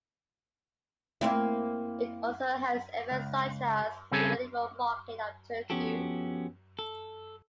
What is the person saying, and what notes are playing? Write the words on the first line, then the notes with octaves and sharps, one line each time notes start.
It also hosts events such as the Medieval Market of Turku.
A#3 C4 E4
C#2
C#3 G3 C4 C#4 G#4 A4
F3 B3 C#4 F#4 G4 A4
A4